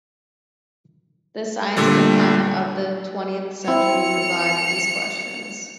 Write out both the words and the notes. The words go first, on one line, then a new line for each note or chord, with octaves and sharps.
The scientific climate of the twentieth century revived these questions.
A#2 D3 G3 A3
C4 E4 C#7 F7